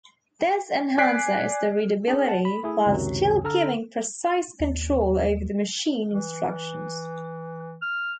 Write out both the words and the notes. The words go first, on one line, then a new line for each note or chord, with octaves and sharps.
This enhances the readability while still giving precise control over the machine instructions.
D5 G#5 F#6 B6 C7 D7
D4 G#4
F#5 A5
B5
A3 E4 G#4
C#2 F#2 C3 D#3 F#3
D3 A4 A#5 F6
D#2
E3
F6